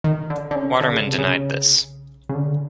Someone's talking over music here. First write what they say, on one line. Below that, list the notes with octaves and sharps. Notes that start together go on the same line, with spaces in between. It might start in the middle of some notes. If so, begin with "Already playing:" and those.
Waterman denied this.
D#3
D3
D3
C#3
D3
C#3
C3
C#3
C#3
D3